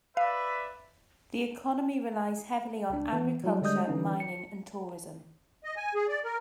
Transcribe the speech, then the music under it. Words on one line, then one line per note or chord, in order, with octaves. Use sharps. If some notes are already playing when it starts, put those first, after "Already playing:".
The economy relies heavily on agriculture, mining and tourism.
B4 D5 E5 F5
C#2 D4
E3 B3
F#3 G3 E4 F#4
D3 G3 G#3 D#5 D#6 G6
D3 E3 C#4 D#4
C#7
D#5
G#5
G#4
D5
A#4